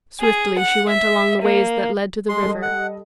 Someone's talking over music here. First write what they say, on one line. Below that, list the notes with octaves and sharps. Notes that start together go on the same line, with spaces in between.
Swiftly she went along the ways that led to the river.
G#4
F#5
E5
A#3
G#3 C6
G3 A4 D#5
F#5